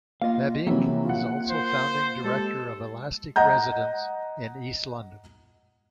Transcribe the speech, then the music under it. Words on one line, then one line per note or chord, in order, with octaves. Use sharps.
Fabyc is also Founding Director of Elastic Residence in East London.
A#3 F4 D#5 F5 C6
C3 E3 F#3 A#3 E5 G5 G#5 B5
F4 F#5
A#4 C5 F5
G#3 G4 A4 D#5
D#5 F#5 A#5 G6